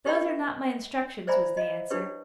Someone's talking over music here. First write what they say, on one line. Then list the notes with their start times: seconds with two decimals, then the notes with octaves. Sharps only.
'Those are not my instructions,' was the answer.
0.06 G4 A#4 D#5 G5 B5
0.28 E5
1.27 C5 D5 E5 G#5 A#5 B5
1.57 D#5 F5
1.90 D4 E4 G4 B4 C#5